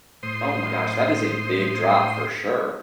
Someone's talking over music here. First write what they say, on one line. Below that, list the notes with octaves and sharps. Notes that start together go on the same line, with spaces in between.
Oh my gosh, that is a big drop for sure!
A2 C5 C6 D#6